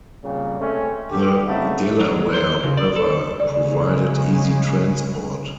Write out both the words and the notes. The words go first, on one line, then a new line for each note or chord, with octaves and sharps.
The Delaware River provided easy transport.
F2 A#2 C#3 G3
C3 G#3 A3 C4 C#4
D3 G4
C#3 A3 C4 D#4 E4 F#4
F#3
C5
C#3
D5
A4
C#3 G#3 D5